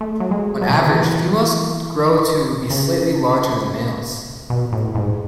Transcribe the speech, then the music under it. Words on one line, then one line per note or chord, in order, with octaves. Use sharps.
On average, females grow to be slightly larger than males.
A3
F#3
G#3
F#3
B2
C#3
D#3
E3
C#3
B2
A2
G#2